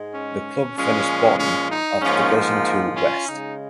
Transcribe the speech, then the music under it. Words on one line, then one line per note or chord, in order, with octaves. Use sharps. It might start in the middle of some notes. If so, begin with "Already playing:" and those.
The club finished bottom of Division Two West.
Already playing: G#2 G#3
C#4
A#2 F3 G#3 C#4
C#4
D#4
G#2 F3 A#3 C#4
C#4 F4
C#3 G#3 D#4